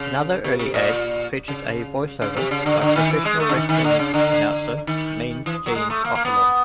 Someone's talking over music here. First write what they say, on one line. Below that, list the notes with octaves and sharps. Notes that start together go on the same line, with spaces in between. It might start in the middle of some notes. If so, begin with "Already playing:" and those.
Another early ad featured a voiceover by professional-wrestling announcer "Mean Gene" Okerlund.
Already playing: C#3
C3
C3
A#2
C#3
C#3
C3
C#3
D3
D3
D#3
E3
G#3
A3
D3
D#3
D#3
D3
C#3
D3
D#3
E3
F#3
G#3
A3
A#3
A#3
B3